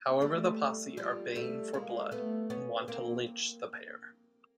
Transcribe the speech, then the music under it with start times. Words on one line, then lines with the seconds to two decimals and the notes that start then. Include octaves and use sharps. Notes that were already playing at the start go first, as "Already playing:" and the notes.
However the posse are baying for blood and want to lynch the pair.
0.22 G3 A3
0.97 F3 G3
1.35 G3 A3
1.74 G#3 A#3
2.11 A3 B3
2.50 B3 C#4
2.88 A#3 C4